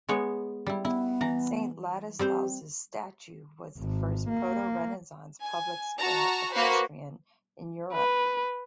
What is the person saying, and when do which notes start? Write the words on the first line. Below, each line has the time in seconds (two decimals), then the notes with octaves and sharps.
Saint Ladislaus' statue was the first proto-renaissance public square equestrian in Europe.
0.09 G#3 B3 C#5
0.66 G3 E4
0.85 B3 E4
1.21 E3 A#5
2.19 G3 C4 G4 C5
3.78 G#1
4.29 A#3
5.42 G#5
5.99 F#4 A5 A#5
6.53 A#3 F#4 B4 C5
7.93 B4